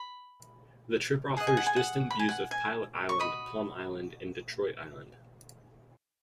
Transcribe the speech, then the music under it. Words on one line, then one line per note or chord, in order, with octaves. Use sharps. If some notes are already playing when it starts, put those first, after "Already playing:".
The trip offers distant views of Pilot Island, Plum Island and Detroit Island.
Already playing: B5
G#4 D#5 F#5
G#5
F#5
G#5
F#5
B5
G#5
F#5
G#5
C#6
F#4 D#5 B5